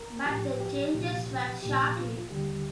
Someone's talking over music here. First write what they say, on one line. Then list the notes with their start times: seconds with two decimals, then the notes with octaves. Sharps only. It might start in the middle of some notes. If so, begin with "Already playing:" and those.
But the changes were short-lived.
Already playing: A#4
0.25 A2 F3 G4
0.60 G4
0.94 C2 A#2 F3
1.62 C2 A#2 F3 G4
1.96 F4
2.30 D#2 D3 G3 G4